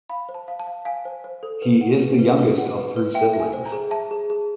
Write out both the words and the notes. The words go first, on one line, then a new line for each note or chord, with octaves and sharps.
He is the youngest of three siblings.
F5 B5
C5
A5
F5
A5
F5
F5 G#5
C5
C5
A4
B4
F#5
B4
B4
B4
F#5
B4
B4
E5 G5
E5
G#5
C5
A#5
G#4
E5 A5
G#4
G#4